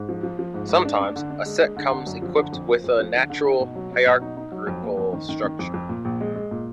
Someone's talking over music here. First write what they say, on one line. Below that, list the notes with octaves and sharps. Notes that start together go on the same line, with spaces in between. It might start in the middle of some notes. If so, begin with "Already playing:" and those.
Sometimes, a set comes equipped with a natural hierarchical structure.
Already playing: G#2
F3
F3
F3
G#2
G#2
D4
D4
D3
D4
G#3
G#3
D3
D3
F#2
F3
D3
F2
F3
F2
F3
D3
D3
D#4
B2
F#3
F#3
B2
D#4
D#4
F#3
F2
A#3
F2
D#3
D#3
D#3
F2
F2
A#2
A#1
G#3
G#3
A#2